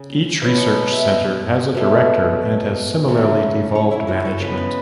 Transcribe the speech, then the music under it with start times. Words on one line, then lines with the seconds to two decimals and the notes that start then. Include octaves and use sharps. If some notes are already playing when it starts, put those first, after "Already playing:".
Each research centre has a director, and has similarly devolved management.
Already playing: C#3
0.42 B2 F#3 B3 G#5
0.58 F#5
0.92 E5
1.08 D#5
1.75 B2 F#3 A3
3.08 C#3 F#3 A3
3.75 C#5
3.91 E4
4.08 F#4
4.25 A4
4.41 C#3 G#3 B3 B4
4.58 B4